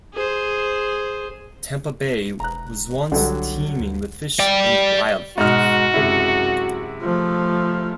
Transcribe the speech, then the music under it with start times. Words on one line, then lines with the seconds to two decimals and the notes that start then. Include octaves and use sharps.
Tampa Bay was once teeming with fish and wildlife.
0.13 G#4 C5
2.40 E1 A#5 F#6
3.12 C2 D3 F#3 G3
3.80 D2
4.39 D5 G5
5.38 G#2 B2 F#4 D#5 F6
5.94 F#2 C3 G#3 E4
7.01 F3 A3